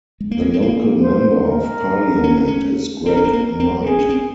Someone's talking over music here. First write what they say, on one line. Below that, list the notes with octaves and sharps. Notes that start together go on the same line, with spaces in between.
The local Member of Parliament is Greg Knight.
G#3
A#3
G#3
C4
A#3
C5
A#4
C#4
C#4
C4 A#4
C#4
C4
A#3
A#4
C4
C4 G#4
C#4
C4